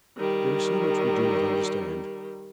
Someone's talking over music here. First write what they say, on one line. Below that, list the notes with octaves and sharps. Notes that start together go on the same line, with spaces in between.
There is so much we do not understand.
D#3 G3